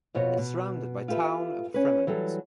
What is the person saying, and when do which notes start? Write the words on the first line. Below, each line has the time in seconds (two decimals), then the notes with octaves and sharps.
It is surrounded by Town of Fremont.
0.15 F2 B2 F4 F#4 C#5
0.38 B2
1.08 F4 G4 A4 B4 E5
1.74 C#4 B4
2.07 E3 F#3 G3 A4